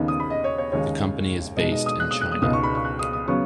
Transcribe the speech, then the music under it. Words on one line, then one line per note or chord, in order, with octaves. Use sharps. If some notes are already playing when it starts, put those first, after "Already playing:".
The company is based in China.
Already playing: D#2 C#3 B3 D#4
D#6
B5
D#5
C#5
C#5
D#2 C#3 G#3 D#4 C#5
B2 G#3 D#4 D#5
D#5
D#6
F#6
D#6
F#6
D#6
C#2 B2 B3 D#4 D#6
C#6
B5
C#6
F#6
D#6
D#6
C#3 F#3 B3 C#6